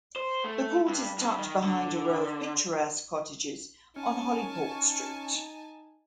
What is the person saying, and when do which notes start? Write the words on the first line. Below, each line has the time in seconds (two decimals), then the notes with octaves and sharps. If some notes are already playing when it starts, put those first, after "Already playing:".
The court is tucked behind a row of picturesque cottages on Holyport Street.
0.16 C5
0.44 A3
0.88 G2
1.18 G2
1.38 D#3
1.64 D3
3.96 C#4 D#4 G#5 A5